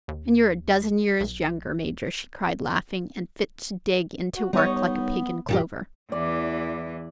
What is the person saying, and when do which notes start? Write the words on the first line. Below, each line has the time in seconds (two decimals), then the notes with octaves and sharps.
"And you're a dozen years younger, Major!" she cried, laughing, "and fit to dig into work like a pig in clover."
0.08 D#2
1.20 B1
4.36 F#4
4.53 G3 B3 D#4 C#5
5.49 A#1 G2 D#3 F3 F4 G4
6.12 E2 E3 D5